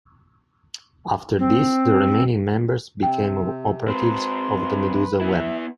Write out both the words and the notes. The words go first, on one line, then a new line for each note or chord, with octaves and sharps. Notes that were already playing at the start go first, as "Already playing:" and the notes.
After this the remaining members became operatives of the Medusa Web.
C4
C3 C4 G5
G#2 C4 B4 C6
B3 E4 E5